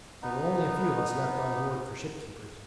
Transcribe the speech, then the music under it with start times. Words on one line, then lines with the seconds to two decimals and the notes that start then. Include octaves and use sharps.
There were only a few of us left on board for ship-keepers.
0.22 B3 D#4